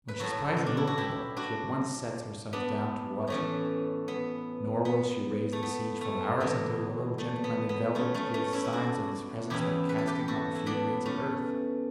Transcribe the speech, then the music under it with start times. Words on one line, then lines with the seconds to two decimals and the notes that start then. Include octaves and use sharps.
When she spies a mole-hill, she at once sets herself down to watch it; nor will she raise the siege for hours, until the little gentleman in velvet gives signs of his presence by casting up a few grains of earth.
0.08 B4
0.20 A2 F#3 F#4 A4
0.57 C#4
0.66 D4
0.77 E4
0.87 F#4
0.98 E4 G4
1.37 D4 F#4
2.53 B3 D4
3.28 A2 E3 A3 C#4
4.08 B3
4.85 B3
5.53 A3
5.63 B3
6.01 A3
6.40 E2 D3 F#3 B3
7.18 A3
7.44 B3
7.69 B3
7.95 A3 C#4
8.14 A3 C#4
8.34 A3 C#4
8.53 C#4 E4
8.65 E4
8.73 D4 F#4
9.50 E2 C#3 E3 E4 G4
9.89 B4
9.98 A4
10.07 G4 B4
10.28 F#4 A4
10.55 E4
10.66 B3 D4
11.06 A3 C#4